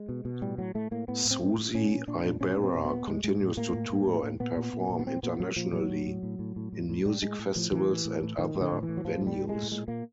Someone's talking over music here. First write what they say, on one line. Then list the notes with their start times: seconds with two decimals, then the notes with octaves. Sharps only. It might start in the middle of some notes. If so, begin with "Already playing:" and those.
Susie Ibarra continues to tour and perform internationally in music festivals and other venues.
Already playing: G#3
0.09 B2
0.25 B2
0.42 A2 G3
0.58 A2 F#3
0.75 A2 A3
0.91 A2 A#3
1.08 A2 B3
1.25 A2
1.31 C4
1.41 A2
1.58 A2
1.74 A#2 C#4
1.91 A#2
2.08 A#2 D4
2.24 A#2
2.41 A#2 C#4
2.57 A#2
2.64 C4
2.74 A#2
2.85 B3
2.91 A#2
3.07 A2 G#3
3.24 A2 G#3
3.40 A2
3.57 A2 A#3
3.74 A2
3.90 A2
4.07 A2
4.23 A2
4.40 A#2 B3
4.57 A#2
4.73 A#2
4.90 A#2
4.99 B3
5.06 A#2 C4
5.23 A#2 B3
5.40 A#2 F#3
5.56 A#2 F3
5.72 A2 F#3
5.89 A2
6.06 A2
6.23 A2
6.39 A2
6.56 A2
6.73 A2
6.89 A2
7.06 A2 G3
7.22 A2 G#3
7.39 A2
7.56 A2 F3
7.72 A2 E3
7.88 A2
8.05 A2
8.22 A2
8.38 A2 D#3
8.55 A2
8.61 D3
8.72 A2
8.83 E3
8.89 A2
8.97 F#3
9.05 A2 F3
9.21 A2
9.27 G3
9.38 A2
9.49 G#3
9.55 A2
9.71 A#2 G#3
9.88 A#2 A#3